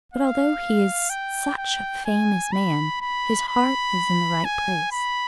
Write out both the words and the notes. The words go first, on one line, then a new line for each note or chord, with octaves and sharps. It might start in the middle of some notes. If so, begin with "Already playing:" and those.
But although he is such a famous man his heart is in the right place.
F5
G5
G5
G#5
B5
B5
B5
G#5
B5